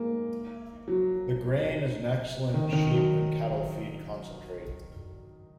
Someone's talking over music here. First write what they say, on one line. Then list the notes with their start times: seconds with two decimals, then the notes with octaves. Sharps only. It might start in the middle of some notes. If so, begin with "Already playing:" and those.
The grain is an excellent sheep and cattle feed concentrate.
Already playing: G#3 A#3
0.88 F#3
2.54 D#3
2.73 D#3
2.92 F#3